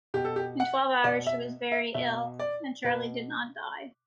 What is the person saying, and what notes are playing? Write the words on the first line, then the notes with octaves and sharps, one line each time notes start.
In twelve hours she was very ill. And Charley did not die.
B2 G4
A4
G4
F#5
B2 D5
E5
E5
B2 E5
D5
B2 B4